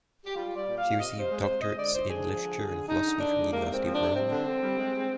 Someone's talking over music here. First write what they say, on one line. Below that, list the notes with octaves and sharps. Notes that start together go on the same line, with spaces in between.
She received doctorates in literature and philosophy from the University of Rome.
G4
G3 F4
G3 D5
A#2
F5
A#2
C3 D#5
C3
C5
G#3
C5
C3
G#3 D#5
D3 D5
D3 C5
D3 G#4
F3
D3
D3
D3
D3 D#4
D3
D3 D4
G#3
C3 A#3
G#3 C4
F3
C3 D4
G3 C4
D3
D3
G3
G#3
G#3